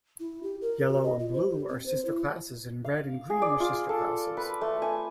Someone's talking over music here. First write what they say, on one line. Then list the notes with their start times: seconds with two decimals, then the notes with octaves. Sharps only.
Yellow and Blue are Sister Classes and Red and Green are Sister Classes.
0.20 E4
0.43 G4
0.61 A#4
0.87 F#4
1.03 D#5
1.19 F4
1.33 C5
1.49 G4
1.69 C4
1.86 C5
2.05 E4
2.84 F5
3.30 G#4
3.42 D5
3.60 F4
3.89 A4
4.37 B4
4.61 A3
4.82 G#5